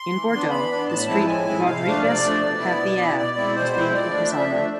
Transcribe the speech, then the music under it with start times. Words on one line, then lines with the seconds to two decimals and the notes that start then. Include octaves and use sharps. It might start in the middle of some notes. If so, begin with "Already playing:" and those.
In Bordeaux the street "Rodrigues-Pereire" was named in his honor.
Already playing: C6
0.12 E3
0.31 B3 D4
0.50 E3 B5
0.69 B3 D4
0.88 A2 A5
0.97 B5
1.07 F3 G#3 C4 E4 A5
1.27 A2 G#5
1.45 F3 G#3 C4 E4
1.65 C3 F5
1.84 F3 A3 D4
2.02 C3 D5
2.22 F3 A3 D4
2.41 B2
2.60 B3 E4
2.79 B2
2.98 B3 E4
3.17 B2 D5
3.36 G#3 C4 E4
3.55 B2 C5
3.74 G#3 C4 E4
3.93 F3 D5
4.12 A3 D4
4.31 F3 E5
4.50 A3 D4